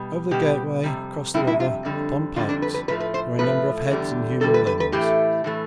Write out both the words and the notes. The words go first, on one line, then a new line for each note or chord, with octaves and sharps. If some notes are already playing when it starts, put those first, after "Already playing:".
Over the gateway across the river, upon pikes, were a number of heads and human limbs.
Already playing: B2 G3
B2 G3 G4
F2 C3 G3
F2 C3 G3 E4
E4
F4
F2 D3 G3
F2 D3 G3 F4
D4
B4
B4
A2 F3 A3 B4
B4
C5
A2 F3 A3 B4
E2 D3 G3
E2 D3 G3 A4
B4
B4
B4
A2 E3 A3 G4
A2 E3 A3